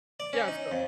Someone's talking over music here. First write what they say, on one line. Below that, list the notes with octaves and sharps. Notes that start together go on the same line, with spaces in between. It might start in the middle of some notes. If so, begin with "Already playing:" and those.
Yeah, so
D5
C#4
D#4
F2